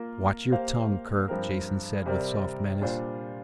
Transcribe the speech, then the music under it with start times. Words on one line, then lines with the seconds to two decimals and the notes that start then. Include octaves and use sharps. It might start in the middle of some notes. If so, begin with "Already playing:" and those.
"Watch your tongue, Kerk," Jason said with soft menace.
Already playing: A#3 F4 A#4
0.52 A#3 G4 C5 F5
1.28 G2 F3 C4 A#4
2.06 C3 G3 C4 A#4 D5
2.82 A#2 G3 D4 F4 C5